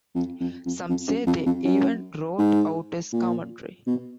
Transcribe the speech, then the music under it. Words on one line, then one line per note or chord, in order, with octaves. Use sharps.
Some say they even wrote out his commentary.
F2
F2
F2
F2
F#2
F2
F2
F#2
G#2
A#2
B2